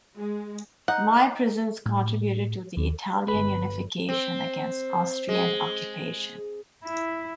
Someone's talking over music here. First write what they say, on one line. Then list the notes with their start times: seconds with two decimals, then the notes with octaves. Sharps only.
"My prisons" contributed to the Italian unification, against Austrian occupation.
0.16 G#3
0.88 D#4 F#5
1.86 A2
2.77 D#2
3.28 G1 B4
4.09 C4
5.29 G#3
6.84 E4